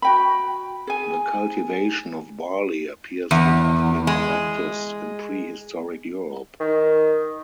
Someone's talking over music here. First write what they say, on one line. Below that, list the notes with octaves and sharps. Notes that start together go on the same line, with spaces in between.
The cultivation of barley appears to have been practiced in prehistoric Europe.
F#4 G5 B5
G#4 G#5
E2
G#3
D#3